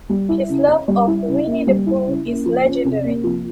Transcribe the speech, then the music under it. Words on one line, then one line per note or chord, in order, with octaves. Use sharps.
His love of Winnie-the-Pooh is legendary.
G3
E4
C#3
C#4
G3
E4
C#3
A#3
G3
E4
C#3
A#3
F3
C#4
C3
A#3
F3